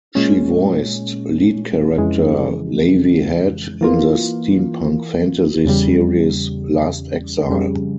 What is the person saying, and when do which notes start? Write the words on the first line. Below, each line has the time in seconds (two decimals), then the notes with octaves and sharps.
She voiced lead character Lavie Head in the steampunk fantasy series "Last Exile".
0.15 A#2 G#3 C#4
1.98 F2 C#3 E3 G#3
3.81 E3 A#3 F4
5.65 E2 C#3 G3
7.49 F2 C#3 G3